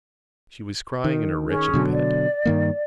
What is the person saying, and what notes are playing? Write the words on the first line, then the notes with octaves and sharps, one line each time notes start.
She was crying in her wretched bed.
D#3
C#4 G#4
B2 D3 F#3
D5
G2 D#3 A#3